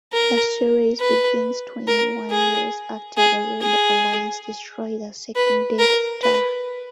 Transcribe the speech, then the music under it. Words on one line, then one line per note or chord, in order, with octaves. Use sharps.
The series begins twenty-one years after the Rebel Alliance destroyed the second Death Star.
A#4
B4
A#4
G#4
G#4
G#4
B4
A#4
B4